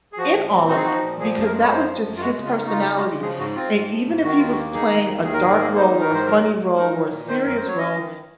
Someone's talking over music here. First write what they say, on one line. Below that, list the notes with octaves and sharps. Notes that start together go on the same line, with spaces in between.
in all of it because that was just his personality, and even if he was playing a dark role, or a funny role, or a serious role,
G#4
F3 F#4
A#2
C4
D#4 F#4
G#4
F3 F#4
A#2
F3 G#4
F#2 G#4
A#4
G#3
C#5
F#2 C5
F3
F#2
F4
G#3 F#4
C#3
F4
D#4
F#4
C#3 F4
G#3
F#4
C#3
F3 G#4
G#2 F#4
C4 F4
G#2
F3
G#2
D#3 F#4
D#2 F4
F#4
A#3
D#4 G#4
D#3
D#2
D#3 G#4
A#4
G#2 G#4
A#4
A#3 G#4
D#4 C5
D#3
A#4
G#2 C5
F#3 A#4
A#2
A#3
D#4 A#4
F#3
A#2
D#3 C5
F#2 A#4
C5
F#3
C#5
C#4 D#5
D#3